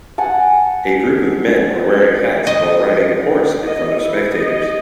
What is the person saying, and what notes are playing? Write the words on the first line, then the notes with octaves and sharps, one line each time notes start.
A group of men are wearing hats while riding a horse in front of spectators.
F#5 G#5 A5
D#5
D#5
E4
D#5